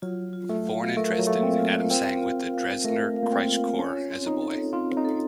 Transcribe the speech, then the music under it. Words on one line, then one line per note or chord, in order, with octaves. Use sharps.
Born in Dresden, Adam sang with the Dresdner Kreuzchor as a boy.
F#3 F4
F4
A3
F5
A3 A#4
F#3
A3 F5
A#3
C4
F4
C4 F4
F4
F5
A3 A#4
F5
A#3
C4
F4
C#4 C#5
C4
D#4
A4
C4 F4
D#4
A4